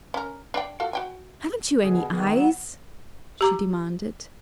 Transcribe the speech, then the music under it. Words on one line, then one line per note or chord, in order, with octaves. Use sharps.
"Haven't you any eyes?" she demanded.
C#4 A#4
D4 D5 G5
F4 F#4 A4
F#4 G5 G#5
B2 D3 G#4
D#3 B3 G#4
F#3 B3 E7
G4 A#5 D6